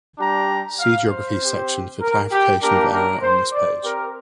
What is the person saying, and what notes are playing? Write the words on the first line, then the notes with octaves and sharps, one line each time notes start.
See Geography section for clarification of error on this page.
G3 D4 G4 A#5
F5
C5
C4 G4
A#4
G4
A#3 D4 G4 A#4
A#4
C5
D5
C4 G4 A#4